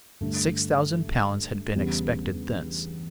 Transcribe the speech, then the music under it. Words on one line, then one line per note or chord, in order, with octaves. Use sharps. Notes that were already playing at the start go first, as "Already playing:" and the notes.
Six thousand pounds had been expected thence.
G2 D3 A3
E2 C#3 G3 B3